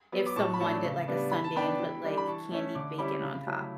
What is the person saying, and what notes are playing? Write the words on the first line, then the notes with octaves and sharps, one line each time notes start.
if someone did, like, a sundae and put, like, candied bacon on top.
F#3 B3
D6
A2 A5 C#6
B5
F#3 A3 D4 A5 C#6
C#3
G3 B3 D4
E3 B5
A5
B3 D4 G5 B5
E3
G3 D4
B5
E3 A5 C#6
A3 C#4 E4
D3 D6
G3 C#4 E4 B5 D6
C#3
F#3 A3 E4